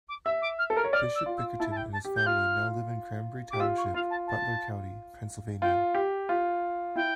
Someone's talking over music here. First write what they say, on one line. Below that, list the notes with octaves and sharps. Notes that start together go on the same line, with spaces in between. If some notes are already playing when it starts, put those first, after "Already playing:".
Bishop Bickerton and his family now live in Cranberry Township, Butler County, Pennsylvania.
D6
E5 E6
D6
F6
A4
A#4 F6
C#5
D5 F6
E6
F4
E6
E4 A5
A5
G5
A5
G4
G6
F4 F6
G4 D6
F4 E6
C#6
F4 F5
A5
A5
F4 G5
G4
F4
E4 G5